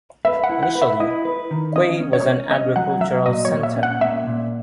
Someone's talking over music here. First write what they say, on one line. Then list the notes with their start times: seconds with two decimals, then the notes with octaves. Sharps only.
Initially, Quay was an agricultural center.
0.25 B4 E5
0.44 F#5
0.49 E4
0.63 F#5
0.75 B4
0.82 E5
1.00 E4 D#5
1.25 B4
1.51 D#3
1.76 C#4 D#5
2.00 C#4
2.13 C#5
2.26 C#4
2.51 C#4 D#5
2.76 F#3 F#5
3.01 F#3 E5
3.26 A#2 D#5
3.45 C#5
3.51 A#2
3.63 E5
3.76 C#4
3.83 F#5
4.01 A#2 E5
4.27 A#2